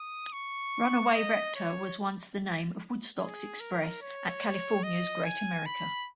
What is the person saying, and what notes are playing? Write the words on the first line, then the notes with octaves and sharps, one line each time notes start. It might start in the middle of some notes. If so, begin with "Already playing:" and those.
Runaway Reptar was once the name of Woodstock's Express at California's Great America.
Already playing: D#6
C#6
D#5
C#5
G#4
A#4
C#5
D#5
G#5
B5